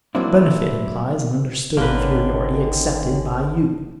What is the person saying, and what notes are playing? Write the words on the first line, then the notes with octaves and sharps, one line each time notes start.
A benefit implies an understood inferiority accepted by you.
F#3 A#3 C4 D4 E4
G#1 D3 D#3 A#3 C#4 B4